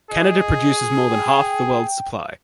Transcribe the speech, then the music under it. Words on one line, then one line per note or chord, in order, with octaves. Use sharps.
Canada produces more than half the world's supply.
G#4 D#5
G5